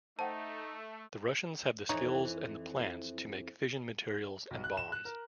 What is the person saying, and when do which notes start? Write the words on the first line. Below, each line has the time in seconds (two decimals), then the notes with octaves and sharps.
The Russians have the skills and the plants to make fission materials and bombs.
0.19 A3 D#4 C5 F#5 G5 A5
1.89 F2 E3 D#4 C#5
4.51 B1
4.64 F#6
4.77 E7
4.92 F#6
5.05 A#4